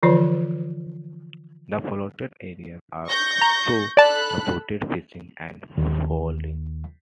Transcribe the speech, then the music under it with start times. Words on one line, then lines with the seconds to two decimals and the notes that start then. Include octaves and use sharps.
The flooded areas also supported fishing and fowling.
0.03 D3 E3 F3 F4 C#5 D5
3.08 C#6 G6 A#6
3.41 A#5
3.97 A4 D5 A5 B5 F#6
5.78 D#2